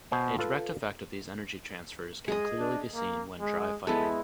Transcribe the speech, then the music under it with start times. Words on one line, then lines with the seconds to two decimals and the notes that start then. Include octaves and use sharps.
A direct effect of these energy transfers can clearly be seen when dry firing.
0.11 B2 C5 G#5
0.39 F4 A4 B4
2.28 G#3 G#4 D#5
2.59 D4
2.95 A#3
3.40 G#3
3.87 G#3 B3 E4 A4